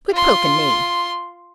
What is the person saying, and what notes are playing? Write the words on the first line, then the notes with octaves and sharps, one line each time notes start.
"Quit poking me!"
F4 C6